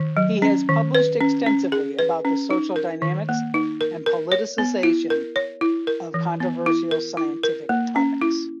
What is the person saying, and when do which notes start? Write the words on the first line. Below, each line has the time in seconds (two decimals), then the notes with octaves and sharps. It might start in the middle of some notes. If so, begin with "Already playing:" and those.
He has published extensively about the social dynamics and politicisation of controversial scientific topics.
Already playing: D#3
0.17 F#3
0.42 C#4
0.69 D#3
0.95 B4
1.21 C#4
1.46 C#4
1.72 G#4
1.99 B4
2.25 C#4
2.50 D#4
2.76 A#4
3.02 D#3
3.29 A#3
3.54 D#4
3.81 A#4
4.06 A#4
4.32 C#5
4.58 B3
4.83 E4
5.10 A#4
5.36 C#5
5.61 E4
5.87 A#4
6.14 E3
6.40 B3
6.66 E4
6.91 A#4
7.17 E4
7.43 A#4
7.69 A#3
7.96 C#4
8.21 E4